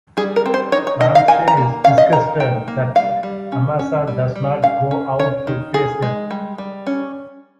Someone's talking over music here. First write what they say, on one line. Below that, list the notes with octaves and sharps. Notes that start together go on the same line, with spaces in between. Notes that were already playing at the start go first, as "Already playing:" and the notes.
Ramsay is disgusted that Amasa does not go out to face them.
G3 G#4
A#4
C4
C5
D#4 C#5
C#5
D#3 D#5
F5
D#3 G#5
A#5
A#3
C#4 F5
D#5
D#3 A#5
D#3 G5
A#3
G3 F5
G3
C#4
C#4
G3
G3
C#4 F5
C#4
C#4 C#5
D#3
D#3 G#4
G#3
G3
G3
C#4